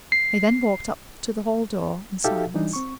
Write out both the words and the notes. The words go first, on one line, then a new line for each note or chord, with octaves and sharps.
They then walked up to the hall-door in silence.
C7
D#4 F#4 G4 A4 E5 F5
E3 G3 D4 D#4
C4 C#6